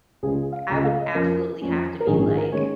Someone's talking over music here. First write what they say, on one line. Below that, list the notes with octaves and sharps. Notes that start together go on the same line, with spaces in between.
I would absolutely have to be, like
C#2 C#3 G#3 G#4
F5
C#2 C#3 G#3 A#5
F5
D#5
F2 F3 C#4 A#4
F2 F3 C#4
A#4
A#1 G#2 D#3 G#3 C#4 G#4
G#4
A#4
D#3 G#3 C#4 C#5